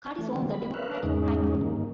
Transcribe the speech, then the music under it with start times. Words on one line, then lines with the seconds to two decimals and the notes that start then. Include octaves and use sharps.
Curtis won the Democratic primary.
0.18 E3 A3
0.34 D3 F#3
0.51 B5
0.74 A#4 B4 C#5 E5 F5 F#6
1.03 E2 G#2 C#3 G#3 C#4 D#4
1.61 G2 D#3 A#3